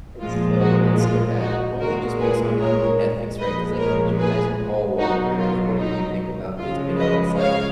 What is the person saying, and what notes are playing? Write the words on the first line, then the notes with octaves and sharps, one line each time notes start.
It's so it's so bad, only just based on, like, the ethics, right? 'Cause, like, could you imagine Paul Walker, like, what would he think about this, you know? It's like,
A#2 F3 G#3 F4
D#4 F#4
F4
D#4 F#4
A#2 G#3 F#4 A#4
G#4 B4
A#4 C#5
A#2 F3 G#3 B4 D#5
A#4 C#5
G#4 B4
B2 F#3 D#4 F#4
F4
D#4
C#3 F3 G#3 F4
B4 D#5
C#5 F5